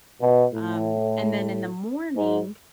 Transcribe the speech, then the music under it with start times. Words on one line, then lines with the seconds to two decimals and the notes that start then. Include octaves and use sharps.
um, and then in the morning,
0.21 B2
0.53 A2
2.16 G#2